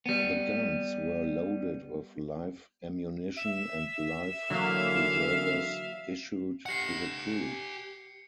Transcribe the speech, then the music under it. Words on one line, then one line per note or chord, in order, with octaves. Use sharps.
The guns were loaded with live ammunition and life preservers issued to the crew.
G3 B3
E5
D3 E3 F#3 A#3 F5
G4 F#5 C7 C#7